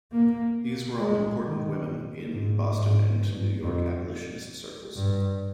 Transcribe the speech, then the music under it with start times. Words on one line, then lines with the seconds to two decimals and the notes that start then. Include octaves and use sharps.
These were all important women in Boston and New York abolitionist circles.
0.11 A#3
0.99 G#3
1.44 D#3
2.32 G#2
2.76 G#2
3.20 G2
3.63 F2
4.95 G2